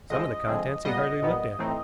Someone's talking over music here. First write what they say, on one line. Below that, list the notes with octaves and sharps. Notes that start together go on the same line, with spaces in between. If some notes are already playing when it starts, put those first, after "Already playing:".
Some of the contents he hardly looked at.
D3 F3 G#3 C4 D#5
D3 F3 G#3 C4
A#2 G3 B3 D#5
A#2 G3 B3
A2 E3 A3 C4 D#4